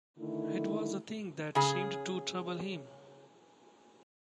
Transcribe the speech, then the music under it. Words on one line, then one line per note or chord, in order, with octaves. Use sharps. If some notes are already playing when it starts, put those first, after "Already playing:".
It was a thing that seemed to trouble him.
D3 D#3 A3 E4
C#3 G#4